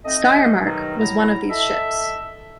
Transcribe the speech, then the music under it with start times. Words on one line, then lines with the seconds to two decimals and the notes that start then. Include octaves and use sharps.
"Steiermark" was one of these ships.
0.04 A3 C4 D#4 D#5
0.62 G2 B2 D#3 F#3 D#4
0.98 F#3 E4 A#5
1.49 A4 D#5 E5